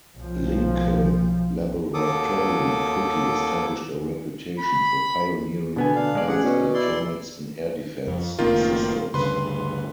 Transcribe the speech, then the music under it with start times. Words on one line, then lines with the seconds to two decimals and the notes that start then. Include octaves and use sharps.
Lincoln Laboratory quickly established a reputation for pioneering advanced electronics in air defense systems.
0.17 B1 F3
1.94 D#2 F#3 A4 D6 D#6
4.59 B5
5.76 B2 D3 B3 G#5
5.95 D4 F5
6.15 G#3 D5
6.28 A1 G#4 D5 F#5
6.43 B2 C#4
6.74 E4 D5 C6
8.07 F2
8.39 F#1 A2 D#3 A#3 C4 F4
9.14 D2 G2 C#3 B4 C6